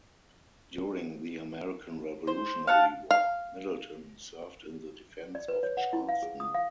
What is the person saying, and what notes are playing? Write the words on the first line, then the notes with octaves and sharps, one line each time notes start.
During the American Revolutionary War, Middleton served in the defense of Charleston.
C5
F5 F#5 A5
F5
D5
B4
C#5
F#5
E4
F5
G#4
D#6
F5